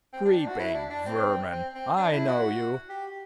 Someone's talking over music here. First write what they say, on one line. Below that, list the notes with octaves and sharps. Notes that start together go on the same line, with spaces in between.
Creeping vermin, I know you!
C4
D4
D4
F#4
E4
D4
D4
C4
C4
C4
D4
E4
F#4
G4